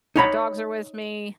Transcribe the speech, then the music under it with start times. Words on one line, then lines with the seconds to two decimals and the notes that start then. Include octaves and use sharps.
my dogs are with me
0.16 D#4 C#5 B5